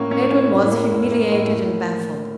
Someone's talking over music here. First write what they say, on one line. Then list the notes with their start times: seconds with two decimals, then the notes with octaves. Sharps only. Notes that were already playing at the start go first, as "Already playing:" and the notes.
Edwin was humiliated and baffled.
Already playing: A2 A#3 C#4
0.11 C#4
0.31 C#4
0.52 A2
0.72 A#3
0.91 A2
1.12 A#3
1.32 A2
1.51 A2